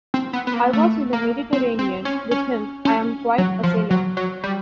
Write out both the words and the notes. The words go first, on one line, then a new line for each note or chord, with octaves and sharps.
I was in the Mediterranean with him; I am quite a sailor.
C4
B3
B3
A#3
A3
A#3
C4
C4
C#4
C#4
C#4
F#3
F3
F#3
F#3
G3